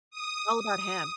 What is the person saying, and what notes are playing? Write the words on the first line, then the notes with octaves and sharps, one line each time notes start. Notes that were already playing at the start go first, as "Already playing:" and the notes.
It's all about him.
D#6
D#6